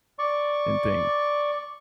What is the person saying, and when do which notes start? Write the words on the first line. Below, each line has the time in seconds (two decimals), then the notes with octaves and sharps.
and think
0.19 D5 C#6